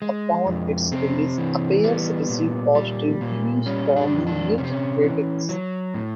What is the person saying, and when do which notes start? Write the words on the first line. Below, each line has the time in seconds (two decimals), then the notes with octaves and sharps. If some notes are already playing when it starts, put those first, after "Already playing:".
Upon its release, "Appears" received positive reviews from music critics.
0.02 G#3
0.46 F2
0.92 C3 C4
1.38 E3
1.84 G3 B3
2.29 A#2
2.75 G3
3.21 A#2
3.66 G3 C#4
3.96 D4
4.12 F2
4.27 D4
4.58 C3 C#4
4.64 C4
4.72 C#4
5.02 E3
5.49 F#3
5.94 A2